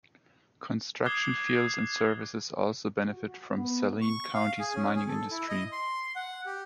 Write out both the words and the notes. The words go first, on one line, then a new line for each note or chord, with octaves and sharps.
Construction fields and services also benefit from Saline County's mining industry.
D6 D#6 F#6 G#6 C7 G7
F#4
B3
C#6
F5
G#4
C#4
G#4
A4
E4
D#5
C6
F#5
G4